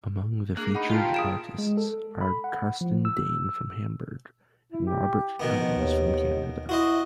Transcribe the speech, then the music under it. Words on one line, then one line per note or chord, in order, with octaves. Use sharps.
Among the featured artists are Carsten Dane from Hamburg, and Robert Cummings from Canada.
A#3 D4 G#4 F#6
D#4 F#5 B5
A#2 F4 G4 A#4 G5 A5 A#5
G#4 D#6 D7 E7
G#3
A4
B5
F#5
F3
E6
E4
G4
B2 D#3 F3 B3
D#2
E4 F#4 C5 D#5